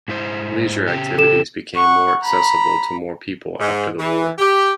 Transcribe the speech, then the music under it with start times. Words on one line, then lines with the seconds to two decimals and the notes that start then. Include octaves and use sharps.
Leisure activities became more accessible to more people after the war.
0.08 G#2 E4 C5
0.87 C#3 G4
1.18 A4 E7
1.75 F#5 C#6
2.23 A#5 B5
3.59 G#2
3.98 E3
4.38 G4